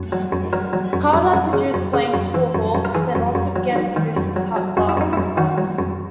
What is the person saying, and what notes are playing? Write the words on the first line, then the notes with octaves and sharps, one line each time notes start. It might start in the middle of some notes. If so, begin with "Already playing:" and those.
Carder produced blanks for Hawkes and also began producing cut glass himself.
Already playing: F#2
F#3
F#2
F#3 A#4
F#3
F#2
F#2
F#2
C#3
F#2
C#3
F#2
E3
F#2
F#2
A#4
E3 G#4
F#2
F#2
F#3
F#3
D#3
F#2
F#3
F#3
F#2 F#4
E4
F#2 D#4
F#2 E4
D#3 F#4
F#3
F#2